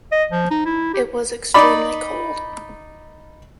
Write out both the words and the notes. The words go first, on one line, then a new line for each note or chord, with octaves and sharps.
It was extremely cold.
D#5
F3
D#4
E4
G4
D#4 D5 B5